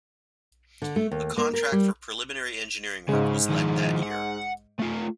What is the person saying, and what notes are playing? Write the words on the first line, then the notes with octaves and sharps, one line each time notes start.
A contract for preliminary engineering work was let that year.
D3
A3
D#2
A#3
A#4
G3
G#2 C#3 G#3
D#3 F3
F#5
A3 F4